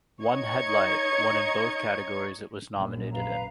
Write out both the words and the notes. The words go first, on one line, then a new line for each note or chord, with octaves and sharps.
"One Headlight" won in both categories it was nominated in.
D#4 C#5 D#5 G#6 C#7
A#1 F#2
B4 F5 A#5